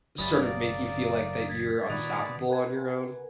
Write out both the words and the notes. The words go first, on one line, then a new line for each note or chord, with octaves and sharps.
sort of make you feel like that you're unstoppable on your own,
F#1 E3 F#3 G3 B5 D#6 A6
A#3 D5
G#6 A6 B6
A#2 D#3 F#4 B4 D5 D#6
A#4 B4 F#5 G#5